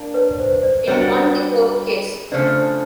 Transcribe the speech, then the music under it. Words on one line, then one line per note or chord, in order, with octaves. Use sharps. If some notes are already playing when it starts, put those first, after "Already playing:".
It won the court case.
Already playing: A#3 D4
B4 C#5
C5
C5 D5
G3 B3 D4 F#4 A#4 C#5 D#5
C#3 F3 A3 D4 C5 D5